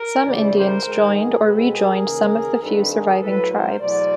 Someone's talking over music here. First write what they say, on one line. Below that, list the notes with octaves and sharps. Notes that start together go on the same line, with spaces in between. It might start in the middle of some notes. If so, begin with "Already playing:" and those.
Some Indians joined or re-joined some of the few surviving tribes.
Already playing: A#4
E2 C#3 E3 G3 C5 D5
A#4 C5
G#2 D#3 G#3
G#4 A#4
B2 G#3 C4 A4 B4
G#4 A#4
D#2 C#3 E3
G2 D#3 G3 C4 A4 B4
G#4 A#4
A2 F#3 B3 A4 B4
A#4 C5
E2 B2 F#3 A3 C5 D5